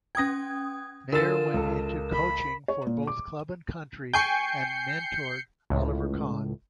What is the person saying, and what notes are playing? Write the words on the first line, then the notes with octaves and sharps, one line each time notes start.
Maier went into coaching for both club and country and mentored Oliver Kahn.
C#4 G5 D#6 G#6 A#6
D3 F4 A#4 E6 A6 E7
C#2 A4
B5
C#5
A#2
D6
G5 G#5 C#6 G6 C7 C#7
C#2 A2